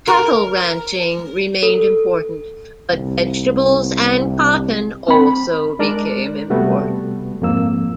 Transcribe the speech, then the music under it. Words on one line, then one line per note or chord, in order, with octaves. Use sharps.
Cattle ranching remained important, but vegetables and cotton also became important.
A#4
A4
C2
C4 B5
G#3 D4 A#4 D5
C3 G3 A3 B3 F#4
F2 G#2 A#3 E6